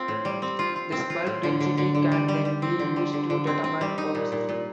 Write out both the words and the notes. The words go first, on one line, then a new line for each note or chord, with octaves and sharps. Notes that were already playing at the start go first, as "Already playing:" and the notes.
This bulk density can then be used to determine porosity.
Already playing: C4 F4
A2
G3
C4
F4
F4
C4
F4
A2
D3
D3
D3
D3
G3
G3
G3
C4
D3
G3
D3
D3
C4
C4
G3
D#4
A#2
A#2
A#2